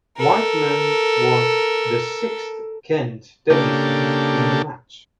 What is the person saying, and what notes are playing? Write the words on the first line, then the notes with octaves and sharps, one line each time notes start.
Wightman was the sixth Kent debutant in the match.
A4 A#4
C#3 A#3 D4 G4 A4